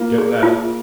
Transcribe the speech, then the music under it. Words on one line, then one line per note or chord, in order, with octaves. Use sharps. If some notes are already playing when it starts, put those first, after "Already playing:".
Get that?
Already playing: A#3 F4 A#4
G#4
F4